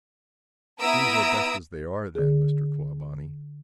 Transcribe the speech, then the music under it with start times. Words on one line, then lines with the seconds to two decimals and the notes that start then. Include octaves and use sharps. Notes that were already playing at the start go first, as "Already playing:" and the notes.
"Things are best as they are, then, Mr. Clawbonny."
0.79 B3 E4 A#5 D#6 E6 D7
2.15 D3 G#4